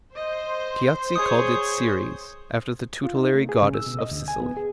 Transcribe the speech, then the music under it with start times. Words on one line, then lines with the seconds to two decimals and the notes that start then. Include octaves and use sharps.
Piazzi called it Ceres, after the tutelary goddess of Sicily.
0.15 C5 D#5
1.16 G#4 C#5 D#6
3.04 F4
3.16 D#4
3.35 A3
3.49 G#4
3.62 C#3
3.74 E6
3.86 B2
3.99 D#5
4.11 D2
4.28 G#5
4.40 B3
4.57 G#4